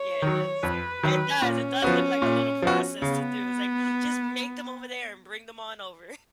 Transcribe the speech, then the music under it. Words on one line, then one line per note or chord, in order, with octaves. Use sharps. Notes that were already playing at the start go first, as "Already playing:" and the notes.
Yeah, it does it does it does look like a little process to do. It's, like, "Just make them over there and bring them on over."
Already playing: C#5
D#3 F#3
F2 B4
D#3 F#3
A#2 C#4
F3 B3 F#4
A#2
F3 B3 F#4
C#3 B3